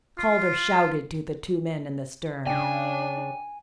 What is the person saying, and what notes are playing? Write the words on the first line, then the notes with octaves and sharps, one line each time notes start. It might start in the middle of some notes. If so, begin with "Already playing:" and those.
Calder shouted to the two men in the stern.
F4
C#3 D4 G5 G#5